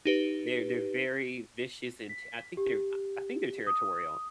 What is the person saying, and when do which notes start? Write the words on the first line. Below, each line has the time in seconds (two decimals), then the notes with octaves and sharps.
they're they're very vicious and I think they're a I think they're territorial.
0.05 D#4 G4 B4
2.09 B6
2.57 G4
3.67 D#6